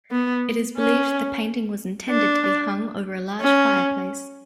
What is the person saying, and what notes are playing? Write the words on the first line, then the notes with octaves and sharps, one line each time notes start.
It is believed the painting was intended to be hung over a large fireplace.
B3
C#4
D4
C#4